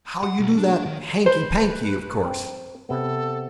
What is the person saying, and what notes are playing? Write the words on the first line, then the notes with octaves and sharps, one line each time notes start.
"How you do that hanky-panky, of course."
F#5
B1
D4
D#3
B4 C5
C4
C3 B3 A4